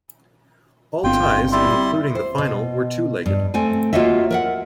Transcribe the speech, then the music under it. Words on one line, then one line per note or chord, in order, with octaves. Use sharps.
All ties, including the final, were two-legged.
G1 C4 F4 G5
G3 E4 C6
C5
B2
G2
A3 C4 C5 G#5
A#3 F4 F#4 C#5 D#5 E5
A#4 E5 F#5